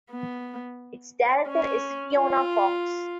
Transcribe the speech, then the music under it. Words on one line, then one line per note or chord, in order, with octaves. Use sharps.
Its director is Fiona Fox.
B3
C#4
F4